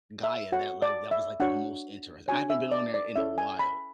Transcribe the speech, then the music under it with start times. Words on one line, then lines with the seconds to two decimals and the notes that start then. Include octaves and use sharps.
Gaia, that, like that was, like, the most interest I haven't been on there in a while.
0.23 E5
0.52 F#4 A4 C#5 F#5
0.82 D5
1.11 E5
1.40 D4 F#4 C#5 F#5
2.28 D4 F#4 C#5 G#5
2.50 E5
2.71 D5
2.94 D5
3.16 C#4 E4 A4 C#5 E5
3.38 G#5
3.59 B5